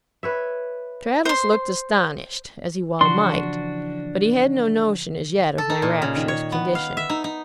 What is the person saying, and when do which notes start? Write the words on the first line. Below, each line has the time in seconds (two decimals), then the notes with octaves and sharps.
Traddles looked astonished, as he well might; but he had no notion as yet of my rapturous condition.
0.23 B4 C#5 E5
1.25 C5 C6
3.01 C#3 E3 F3 D4 F#4 C6
5.58 A4
5.70 D#4
5.82 A#2
6.02 C#3
6.16 D#3
6.28 C#5
6.52 B3
6.75 F5
6.97 E5
7.10 D#4
7.24 D#4